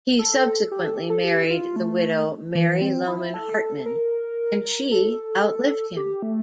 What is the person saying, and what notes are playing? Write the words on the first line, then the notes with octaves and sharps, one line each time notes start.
He subsequently married the widow Mary Loman Hartman, and she outlived him.
A4
G4
A4
G4
A4
G4
E4
F4
A3
E3
C4
E4
A4
A#4
A4
G4
A3